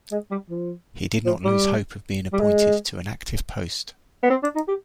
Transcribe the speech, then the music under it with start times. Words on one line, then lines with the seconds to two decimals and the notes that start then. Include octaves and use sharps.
He did not lose hope of being appointed to an active post.
0.12 G#3
0.31 G3
0.50 F3
1.26 F3
1.44 G3
2.33 G3
2.40 G#3
4.23 B3
4.30 C4
4.43 D4
4.55 D#4
4.68 G4